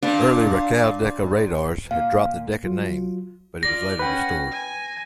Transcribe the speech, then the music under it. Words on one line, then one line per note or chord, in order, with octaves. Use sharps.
Early Racal-Decca radars had dropped the Decca name, but it was later restored.
A#2 G3 D4 F5
A#2 F5
F#3 F4 F#4
F4 D5 A#6
C#4 B4 F#5 G5
G#5